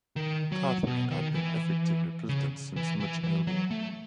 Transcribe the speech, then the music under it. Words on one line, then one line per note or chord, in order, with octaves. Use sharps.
Catherine had been effectively President since much earlier.
D#3
F#3
B2
D#3
E3
C#3
E3
E3
E3
F#3
A3